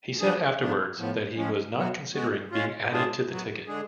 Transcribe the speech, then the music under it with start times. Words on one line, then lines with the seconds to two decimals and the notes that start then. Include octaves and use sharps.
He said afterwards that he was not considering being added to the ticket.
0.20 F3 B3 D4 G#4
0.59 F3 B3 D4
0.98 A2 F3 B3
1.36 A2 F3 G#3 C#4
1.75 B2 F#3 B3 F#4
2.14 G#3 B3 F#4
2.51 G#3 C#4 F4
2.91 A2 G#3 D4 F4 G#4
3.29 F#3 B3 F#4
3.68 D3 G#3 D4 G#4